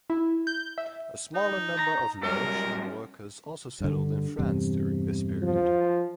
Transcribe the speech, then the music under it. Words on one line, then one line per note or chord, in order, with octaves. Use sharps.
A smaller number of Laotian workers also settled in France during this period.
E4
G6
E5
D#4
A#5
G2 F#3 A#4
G2 D3
E2 G2 C3
F3